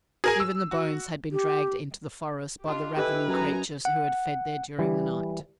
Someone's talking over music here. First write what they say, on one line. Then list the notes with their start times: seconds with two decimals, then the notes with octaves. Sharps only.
Even the bones had been dragged into the forest by the ravening creatures who had fed there during the night.
0.24 G#4 A#4 G#5
0.40 E6
0.71 F#4
1.32 G4
2.64 D4 F4 G4 D#5
2.96 E4 G4 A4 B4 D#5 G#5
3.28 F#2 D#4 G#5 A#5
3.85 F#5
4.79 E3 G3